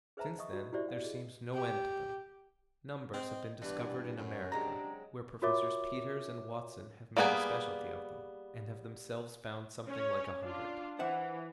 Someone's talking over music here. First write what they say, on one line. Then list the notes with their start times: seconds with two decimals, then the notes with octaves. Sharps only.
Since then there seems no end to them; numbers have been discovered in America, where Professors Peters and Watson have made a specialty of them, and have themselves found something like a hundred.
0.17 G#4 B4 C5 E5 A5 A#5
0.39 D#5 E5 C#6 D#6
0.53 F#4
0.73 E4 F#4 G4 C5 D5 E5
0.89 D5 F5
1.03 G#4 D#5
1.53 G4
3.13 C4 D#5
3.62 G2 E3 G3 B3 B4 D5
4.16 F#2 C3 F#3
4.52 C#3 F#3 G#3 C4 D4 G4 A#5
5.42 F4 F#4 A#4 C#5 E5 D6
7.17 G3 A#3 B3 D#4 G#4
9.87 C#4 C#5
10.41 D4 F4
10.99 E3 C5 E5 F#5